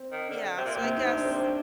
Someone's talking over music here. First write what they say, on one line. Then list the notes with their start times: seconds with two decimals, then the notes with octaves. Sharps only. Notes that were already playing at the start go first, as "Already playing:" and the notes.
Yeah. So, I guess,
Already playing: C4
0.12 D#3
0.29 D3
0.57 C3
0.65 A#2
0.75 C3 A#3
0.84 C4
0.98 D#4
1.12 D4
1.25 C4
1.39 D4